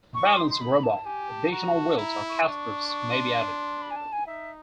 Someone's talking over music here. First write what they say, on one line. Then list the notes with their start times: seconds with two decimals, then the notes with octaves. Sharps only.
To balance the robot, additional wheels or casters may be added.
0.14 D#4 C#6
0.37 C6
0.50 C6
0.60 B5
0.83 A5
1.05 G4 G#5
1.29 A5
1.51 F#4 A#5
1.74 A5
1.97 E4 A#5
2.29 C#6
2.37 C6
2.43 D4 C#6
2.89 C#6
3.12 C6
3.82 B5
3.90 G#5
3.96 A5
4.12 G#5
4.26 D#4 E5